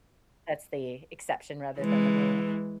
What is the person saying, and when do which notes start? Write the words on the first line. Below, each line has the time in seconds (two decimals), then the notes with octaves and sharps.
that's the exception rather than the rule.
1.78 E3 G#3